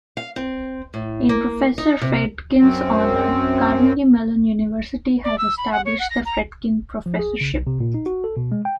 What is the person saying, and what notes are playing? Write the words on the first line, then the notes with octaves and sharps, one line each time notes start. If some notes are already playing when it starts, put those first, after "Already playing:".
In Professor Fredkin's honor, Carnegie Mellon University has established the Fredkin professorship.
F5
C4
A2
A#3
D#4
C3
F#2 C4
D5
E6
B5
F#5
C#5
F#5
A#6
A#5
F3
G#4
C#3
B1
C3
A#2
D#4
F#4
A4
B2
G#3
G5